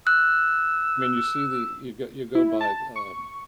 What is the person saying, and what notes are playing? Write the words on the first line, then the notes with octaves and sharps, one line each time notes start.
I mean, you see the you go you go by, um,
E6 F#6
E4
A5
C#6